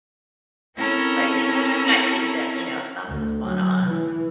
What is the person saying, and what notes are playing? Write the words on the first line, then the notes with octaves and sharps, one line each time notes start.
lately, so she might think that, you know, something's going on.
C4 C#4 E4 A4 A#4
D2
F#3
E3